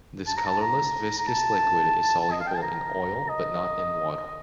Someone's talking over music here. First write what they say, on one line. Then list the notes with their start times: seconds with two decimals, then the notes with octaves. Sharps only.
This colorless viscous liquid is soluble in oil, but not in water.
0.27 A5
0.36 A#5
0.46 A5
0.61 A#5
1.19 A#5
1.27 A5
2.32 D#5
2.40 F5
2.47 G5
2.55 A5
2.62 A#5
3.29 D#5